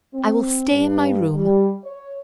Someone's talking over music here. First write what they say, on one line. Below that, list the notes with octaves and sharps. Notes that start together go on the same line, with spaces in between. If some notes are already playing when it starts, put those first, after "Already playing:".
I will stay in my room.
C4
G2
G3
C#5